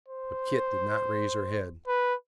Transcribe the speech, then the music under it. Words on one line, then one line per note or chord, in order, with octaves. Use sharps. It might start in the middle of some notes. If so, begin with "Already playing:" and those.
But Kit did not raise her head.
C5
B4